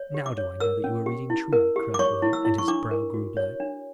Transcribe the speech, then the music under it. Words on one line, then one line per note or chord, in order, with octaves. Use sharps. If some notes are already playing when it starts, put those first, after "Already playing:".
"Now do I know that you are reading truly," cried Will, and his brow grew black.
Already playing: C#5
G4
D6
C#5
A#4 E6
C#4
G4
E4
A#4
G4
D6
C#5 C#6
E4
E6
E4
C#6
D4 D6
A#4
F#4
C#5
D4